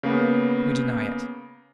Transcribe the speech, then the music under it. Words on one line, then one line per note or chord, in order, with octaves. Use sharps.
We deny it.
C#3 A#3 B3